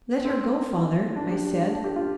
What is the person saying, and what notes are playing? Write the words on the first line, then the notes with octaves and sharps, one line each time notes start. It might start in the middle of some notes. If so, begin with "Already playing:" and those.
"Let her go, father," I said.
C4
D4
G4
D4
D4
G4
F4